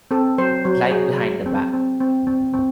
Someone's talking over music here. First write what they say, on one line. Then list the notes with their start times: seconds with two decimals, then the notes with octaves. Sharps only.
Light Behind The Back.
0.11 C4 A4
0.38 F#3 C5
0.64 F#3 C5
0.91 F#3 G#4
1.18 F#3
1.46 C4
1.73 C4
2.00 C4
2.27 C4
2.54 C4